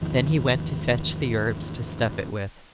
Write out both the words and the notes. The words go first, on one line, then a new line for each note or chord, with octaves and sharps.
Then he went to fetch the herbs to stuff it with.
G#1 E2 D#3 F3